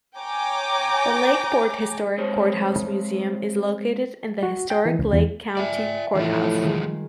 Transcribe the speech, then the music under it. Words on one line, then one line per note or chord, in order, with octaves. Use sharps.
The Lakeport Historic Courthouse Museum is located in the historic Lake County Courthouse.
C#5 G5 G#5 A#5 D6
G#3 C4 C5 C#5
F#4
G5
E3
C#2
E2
D5 E5 G5 G#5
A2 E3 F3 A3 D#4 F4
D#3 G3 G#3 G#4 C5